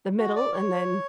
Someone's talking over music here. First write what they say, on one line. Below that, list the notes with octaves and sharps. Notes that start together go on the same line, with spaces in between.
the middle and then
F#4
D5
C#5